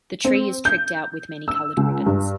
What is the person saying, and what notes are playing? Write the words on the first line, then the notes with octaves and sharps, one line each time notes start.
The tree is tricked out with many-colored ribbons.
C4
G6
E6
C#2
G2